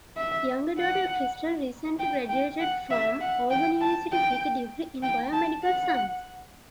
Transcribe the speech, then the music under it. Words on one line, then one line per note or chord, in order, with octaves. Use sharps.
Younger daughter Crystal recently graduated from Auburn University with a degree in BioMedical Science.
E5
F#5
G5
G5
F#5
E5
F#5
G5
A5
G5
G5
A5
F#5